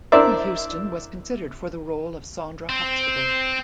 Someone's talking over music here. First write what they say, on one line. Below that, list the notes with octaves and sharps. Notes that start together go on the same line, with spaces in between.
Whitney Houston was considered for the role of Sondra Huxtable.
D4 E4 A#4 C5 D5 E5
C4